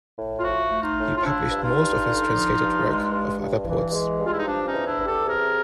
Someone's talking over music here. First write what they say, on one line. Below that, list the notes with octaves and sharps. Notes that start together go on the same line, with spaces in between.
He published most of his translated work of other poets.
A2
F4
F3 E4 F#4
A3
D#4 F4
A2
F4
F3 D4 E4
G2
D#4 F4
G2
D3
F3
G2
G#3
G2
G2
E3
G#3
G2
F4
E4
D#4
F3 D4
C#4 D#4
E2
D4 E4
E2
G4 A4
C3 G#4 A#4